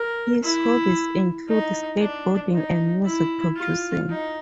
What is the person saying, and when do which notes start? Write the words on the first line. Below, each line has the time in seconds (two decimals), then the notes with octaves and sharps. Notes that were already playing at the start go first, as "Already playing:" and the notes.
His hobbies include skateboarding and music producing.
Already playing: A#4
0.43 E4
1.48 D#4
2.00 D4
2.53 D#4
3.05 E4
3.57 F4
4.09 D#4